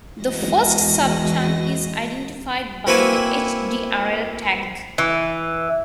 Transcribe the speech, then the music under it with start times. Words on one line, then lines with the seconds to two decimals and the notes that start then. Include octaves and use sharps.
The first sub-chunk is identified by the "hdrl" tag.
0.22 E2 E3 G#3 F#4 D#5 A#6
2.87 A#3 C4 E4 F#4 B4 G#5
4.98 E3